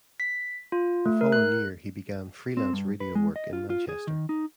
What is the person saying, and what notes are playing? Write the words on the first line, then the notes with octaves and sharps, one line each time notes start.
The following year he began freelance radio work in Manchester.
B6
F4
A3
A#4
F#6
C4
G2
B4
G#3
D#5
F4
F4
G#4
D#3
D#4